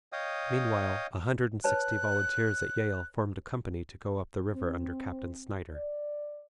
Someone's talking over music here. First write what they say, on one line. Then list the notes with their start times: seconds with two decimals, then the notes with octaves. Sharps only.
Meanwhile a hundred and sixty volunteers at Yale formed a company to go up the river under Captain Snyder.
0.13 C#5 D#5 F5 G5 D#6
1.64 B4 C#5 A5 F#6
4.52 C4
5.72 D5